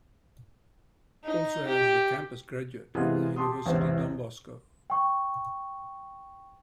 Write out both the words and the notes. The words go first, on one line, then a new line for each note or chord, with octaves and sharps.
Also has the campus graduate of the University Don Bosco.
D#4
G4
C3 E3 G#3 B3 F4 G#4
G4 A5 C6 D#6
A1 E2 G#2 C3 C5
G5 C#6